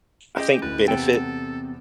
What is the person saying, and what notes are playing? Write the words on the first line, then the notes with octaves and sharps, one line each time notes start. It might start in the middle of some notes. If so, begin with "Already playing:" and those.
I think, benefit
C#4 F4 G4 G#4 D#5 G6 A#6 E7
D1 E4 B4 A6
E2 C3 B3 C4 A4 G5